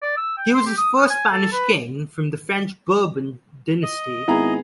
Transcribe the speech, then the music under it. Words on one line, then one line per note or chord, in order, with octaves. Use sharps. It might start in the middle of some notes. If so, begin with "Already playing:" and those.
He was the first Spanish king from the French Bourbon dynasty.
D5
E6
G5
C6
G4
D#6
B3
G#5
A4
B4
D#5
G#1 B3 E4 G#4 A#5